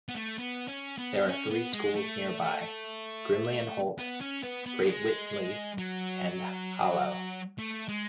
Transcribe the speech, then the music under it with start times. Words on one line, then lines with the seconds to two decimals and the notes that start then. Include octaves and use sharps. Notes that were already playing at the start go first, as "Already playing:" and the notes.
There are three schools nearby: Grimley and Holt, Great Witley and Hallow.
0.09 B3
0.15 A3
0.38 B3
0.68 C#4
0.98 B3
1.29 C#4
1.50 B3
1.73 G#3
1.95 A3
3.98 B3
4.21 C#4
4.43 B3
4.66 B3
4.82 F#3
4.89 G#3
5.78 F#3
7.59 A3
7.89 G#3